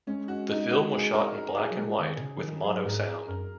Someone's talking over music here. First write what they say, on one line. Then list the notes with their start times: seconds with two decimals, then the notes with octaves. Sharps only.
The film was shot in black and white with mono sound.
0.07 G#3 C#4
0.28 F#4
0.50 D#4
0.70 F#4
0.93 G#4
1.14 A#4
1.57 G#4
1.70 F#3
1.77 G#3
1.99 D#3
2.17 A#2
2.21 C#3
2.38 F#3
2.43 D#3
2.64 F#3 G#4
2.76 G#4
2.85 G#2 A#4
3.06 G#4
3.28 F#2 A#4